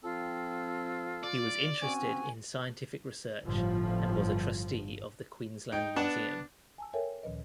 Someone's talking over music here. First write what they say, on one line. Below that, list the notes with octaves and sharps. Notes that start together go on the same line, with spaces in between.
He was interested in scientific research and was a trustee of the Queensland Museum.
F3 C4 F4 A4
D5
C4 C#4 F#4 G#5
G1 A2 F3
D#4 G5
B3 D4 F#5 A5
G#5 A5 E6
A4 A#4 C#5 E5 G5 G#5
D2 A#2 D#3 F3 B4 D#5